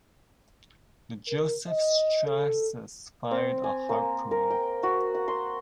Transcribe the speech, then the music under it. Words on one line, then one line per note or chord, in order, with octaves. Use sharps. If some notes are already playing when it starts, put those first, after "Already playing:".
The "Joseph Strauss" fired a Harpoon.
A#4
D#5
A4
C4
G#5
A#3
A#4
G5
F#4
F#5
C6